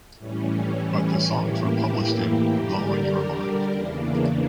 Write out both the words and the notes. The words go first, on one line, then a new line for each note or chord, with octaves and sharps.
But the songs were published in Blowin' Your Mind!
A2 E3 G3 C#4
A2 E3 A#3 E4 G4
D3 G3 D4 G4 A#4
E2 C#3 E3 A#3 D4